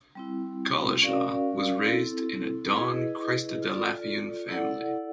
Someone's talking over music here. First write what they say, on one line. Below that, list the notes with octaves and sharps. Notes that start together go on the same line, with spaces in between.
Collishaw was raised in a Dawn Christadelphian family.
G3 C4 E4
C#4 F#4 A#4 D5 F5
C4 E4 A4
E4 G#4 B4 D#5
F4 A4 D5
E4 A4 D5 F#5